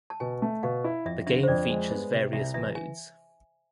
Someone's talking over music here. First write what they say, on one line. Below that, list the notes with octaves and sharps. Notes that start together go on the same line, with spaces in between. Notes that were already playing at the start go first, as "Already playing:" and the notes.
The game features various modes.
A5
B2 G#5
A3
B2 F5
E4
F2 E5
D3 E5
C5
F2 D5
G#3
B3
C3
C2 E5
E3 E5
G#5